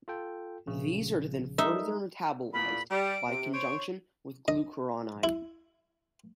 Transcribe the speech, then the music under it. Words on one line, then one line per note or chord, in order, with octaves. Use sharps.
These are then further metabolized by conjugation with glucuronide.
F4 A4 G5
A#1 C#3
G3 D#4 A4 A#4 E5
E2 A#2 B5
G3 D7
C3
C5 C#5 D7
D#5
E4